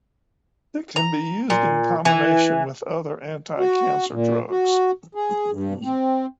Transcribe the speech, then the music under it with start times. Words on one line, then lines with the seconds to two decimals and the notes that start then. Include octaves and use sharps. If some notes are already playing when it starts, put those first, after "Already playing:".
It can be used in combination with other anticancer drugs.
0.96 A#5
1.50 A#2
2.05 E3
3.59 F#4
4.12 A#2
4.51 F#4
5.15 G#4
5.51 G2
5.85 C4